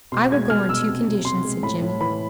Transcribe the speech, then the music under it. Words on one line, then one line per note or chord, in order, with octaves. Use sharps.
"I will go on two conditions," said Jimmy.
B2 C6
G#3 G#6
B2 F6
B2 E6
C3
C3
C3 C6
G#3
A2 B5
A2
E3 B5